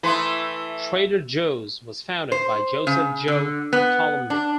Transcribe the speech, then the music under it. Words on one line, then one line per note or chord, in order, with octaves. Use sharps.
Trader Joe's was founded by Joseph "Joe" Coulombe.
E3 A3 E4 B4 C6 D#6
C5
C#3
D3
B3
D4